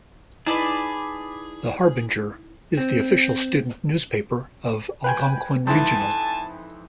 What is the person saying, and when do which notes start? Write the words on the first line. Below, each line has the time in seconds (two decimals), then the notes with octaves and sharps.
"The Harbinger" is the official student newspaper of Algonquin Regional.
0.46 D#4 E4 G#4 B4 D5 A5
2.77 C4
5.04 B4 G5 G#5
5.67 F2 G#2 E3 G#5 A5